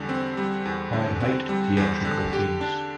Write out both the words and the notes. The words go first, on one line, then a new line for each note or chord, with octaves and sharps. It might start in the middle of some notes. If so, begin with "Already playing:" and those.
I hate theatrical things.
Already playing: E2 D3 G3
C4
G3
E2
D3
C4
G3
E2
D3
G4
D4